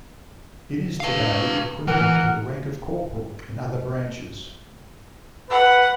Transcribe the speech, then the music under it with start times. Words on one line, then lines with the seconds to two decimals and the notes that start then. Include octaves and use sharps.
It is today equivalent to the rank of corporal in other branches.
1.00 B4 F5
1.87 E3 A#4 F#5
5.51 B4 F#5